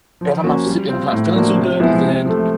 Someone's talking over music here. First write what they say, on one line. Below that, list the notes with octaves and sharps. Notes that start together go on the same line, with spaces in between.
if I'm not s if I'm not feeling too good, then,
F3
A#3 C#4 F#4
G3
C4 F4
A2
F3 A#3 D4 F#4
C3
F3 G#3 B3 E4
C3
F3 A3